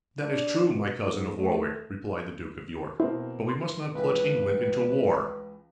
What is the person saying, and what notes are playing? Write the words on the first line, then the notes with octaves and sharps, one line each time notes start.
"That is true, my cousin of Warwick," replied the duke of York, "but we must not plunge England into war."
D4
B2
G#2
A3
B2 A#3 C4 E4
C6
C#2 E3 B4